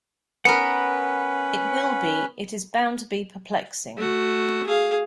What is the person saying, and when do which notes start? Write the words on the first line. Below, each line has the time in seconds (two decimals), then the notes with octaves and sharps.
It will be — it is bound to be perplexing.
0.45 B3 C#4 A#4 B4 F#5
3.97 A3 F#4
4.67 G#4 F5